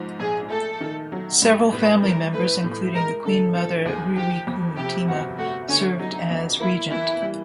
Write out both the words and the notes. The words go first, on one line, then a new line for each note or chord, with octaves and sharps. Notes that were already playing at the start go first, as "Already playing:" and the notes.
Several family members, including the Queen Mother Ririkumutima, served as regent.
Already playing: G#2 F3
A#1 G#4
A3 A4
D#3
F#3
G2
A2 B4
E3 A#4
A3 B4
A2
G#3 A#4
D3 A4
F3 A4
D#2 G#4
F3 G4
F2
C3 G4
G1 F#4
A3 F#4
D3 C#4
F#3 D#4
F2
A#3 E4
E3 E4
G3